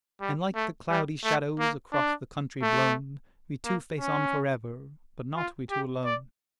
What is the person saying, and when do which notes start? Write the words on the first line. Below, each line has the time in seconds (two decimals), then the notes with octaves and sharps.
And like the cloudy shadows Across the country blown We two face on for ever, But not we two alone.
0.21 G3
0.55 A3
0.90 G3
1.24 A3
1.59 A#3
1.93 D4
2.62 A3
3.65 A#3
4.00 C#4
5.37 F4
5.70 G4
6.05 D5